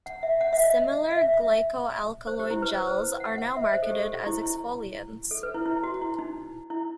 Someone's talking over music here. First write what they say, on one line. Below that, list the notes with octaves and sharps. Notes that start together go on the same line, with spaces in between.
Similar glycoalkaloid gels are now marketed as exfoliants.
F#5
E5
F#5
E5
D#5
E5
E5
E5
C5
G4
E4
B4
C5
F#5
F#5
E5
D#5
C5
A4
G4
A4
G4
E4
E4
A4
B4
E4
E4
F#4
E4
D#4
E4